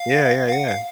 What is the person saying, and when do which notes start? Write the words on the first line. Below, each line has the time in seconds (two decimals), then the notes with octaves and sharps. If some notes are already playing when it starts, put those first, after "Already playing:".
Yeah, yeah, yeah.
Already playing: F5
0.48 F5
0.52 F#5
0.68 F5